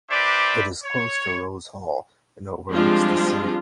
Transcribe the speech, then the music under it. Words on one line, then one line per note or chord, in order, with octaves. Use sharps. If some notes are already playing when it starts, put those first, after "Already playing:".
It is close to Rose Hall and overlooks the sea.
D4 G4 B4 C5 D5 E5
C#5
F3 G3 G#3 C4 D4 F4